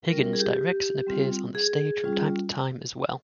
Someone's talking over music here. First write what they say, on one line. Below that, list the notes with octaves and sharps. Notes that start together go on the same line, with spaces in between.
Higgins directs and appears on the stage from time to time as well.
G3 C#4 F4 A#4
A#4
G#4
G4
G3 C4 F4
G#4
G3 C#4 F4